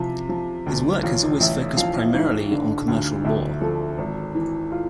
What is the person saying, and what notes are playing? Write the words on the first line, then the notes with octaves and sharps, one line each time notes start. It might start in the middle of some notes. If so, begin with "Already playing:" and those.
His work has always focused primarily on commercial law.
Already playing: C3 F3 E4
F3
D2
A1 F4
A1 E5
F3 F5
G#2
D3
D2
D2 E5
F3 A4
G#1
E3
F4